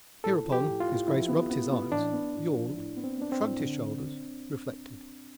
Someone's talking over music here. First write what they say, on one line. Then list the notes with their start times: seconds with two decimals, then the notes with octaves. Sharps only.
Hereupon his Grace rubbed his eyes, yawned, shrugged his shoulders, reflected.
0.24 A2 A4
0.45 F3
0.52 G4
0.66 A2
0.80 F4
0.88 A2
1.08 F3 E4
1.28 B3
1.50 B3
1.71 B3
1.91 A1 D4
2.13 B3
2.34 A2
2.54 F3
2.76 A2
2.96 B3
3.04 C4
3.18 B3 D4
3.32 C4
3.39 A2
3.60 D3